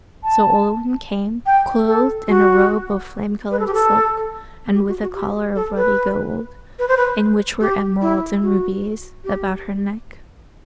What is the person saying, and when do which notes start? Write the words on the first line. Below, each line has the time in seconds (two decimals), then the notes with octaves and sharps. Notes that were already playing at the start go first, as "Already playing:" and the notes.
So Olwen came, clothed in a robe of flame-coloured silk, and with a collar of ruddy gold, in which were emeralds and rubies, about her neck.
0.23 A5
1.46 G5
1.87 A4
2.28 F#4
3.51 B4
3.59 A4
3.66 G4
3.74 A4
4.74 G4
4.88 F#4
5.01 F#4
5.15 G4
5.56 A4
5.77 B4
6.79 B4
6.88 C5
6.97 B4
7.61 G4
8.02 E4
8.42 F#4
9.24 G4